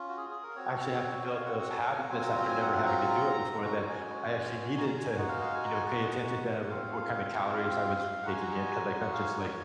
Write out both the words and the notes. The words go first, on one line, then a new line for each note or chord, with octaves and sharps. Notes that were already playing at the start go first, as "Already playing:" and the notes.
actually have to build those habits after never having to do it before that I actually needed to, you know, pay attention to, uh, what kinda calories I was taking in, 'cause I couldn't just, like,
Already playing: C#4 F4
F#4
G#4
G#4
A#4
C4 F#4 C#5
F5
F#5
F#5
G#5
A#5
G#5
F#5
F#3 C4 F4 G#5
A#5
A#5
G#5
F#5
F#5
A#5
G#3 C#4 F#4 A#5
G#5
G#5
A#5
G#5
G#3 D#4 F#4 F#5
F5
F5
G#5
A#5
G#5
F#5
F#5
C4 F4 F5
F5
G#3 D#4 F#4 F#5
G#5
A#5
G#5
F#5
F5
C#5
C#5